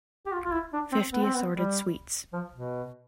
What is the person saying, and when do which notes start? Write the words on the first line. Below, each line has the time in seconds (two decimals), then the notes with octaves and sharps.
Fifty assorted sweets.
0.26 G4
0.32 F4
0.45 F4
0.52 E4
0.73 D4
0.92 C4
1.13 B3
1.23 C4
1.34 B3
1.53 G3
2.33 F3
2.52 B2